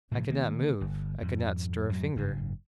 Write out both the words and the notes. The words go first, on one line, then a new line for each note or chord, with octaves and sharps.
I could not move; I could not stir a finger.
A2 C3 E3 F3
D#3 A#3
G1
F2 G#2
F#2 A2 F3 F#3
F#1 G#2 C#3